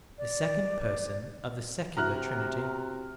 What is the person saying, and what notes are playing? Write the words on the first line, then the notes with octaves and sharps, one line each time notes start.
The Second Person of the secular Trinity.
D5
C3 E4 F#4 A#5 F6 F#6